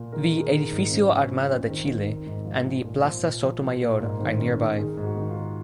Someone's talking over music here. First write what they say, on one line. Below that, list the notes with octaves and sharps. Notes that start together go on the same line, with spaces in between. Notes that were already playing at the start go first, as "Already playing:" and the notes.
The Edificio Armada de Chile and the Plaza Sotomayor are nearby.
Already playing: A#2
D#3 A#4
D#3
G#4
D#3
G#2
C#3 C4
F3
C#4
F2
C4
F2
D#3 C4
D#3
D#3
G#2
F3
F3
A#2
F3
A#2
F3
F3
A#2
G#2 A#3
D#3 C4
D#3 C#4
D#3 A#4
D#3 G#4
G#2
F#4
D#3
F4
D#3